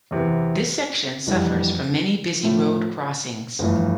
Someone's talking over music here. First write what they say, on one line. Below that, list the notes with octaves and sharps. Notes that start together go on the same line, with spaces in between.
This section suffers from many busy road crossings.
E2 C3 E3 B3
F1 F2 E3 G3 D4
A2 F3 A3
G1 F2 E3 A3